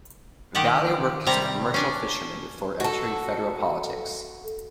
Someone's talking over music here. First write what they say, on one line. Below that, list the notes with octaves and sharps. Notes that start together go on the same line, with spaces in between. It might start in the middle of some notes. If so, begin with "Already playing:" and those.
Valley worked as a commercial fisherman before entering federal politics.
D#3 G4 F#5 A5
C3 G3 A#5
C#4 D4
F#4 A4